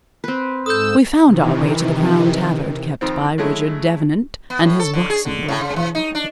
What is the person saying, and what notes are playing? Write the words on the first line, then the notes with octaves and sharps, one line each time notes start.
We found our way to the Crown Tavern, kept by Richard Devanant and his buxom black-eyed wife.
C4 B4
G#2 A4 D#6 E6 G6
C3 D#3 E3
F2 D#3 C4
F#3 G#3 A3 E4
B3
A2
A4
D3
G#4
D3
A2
C#3
E3
D#4
D4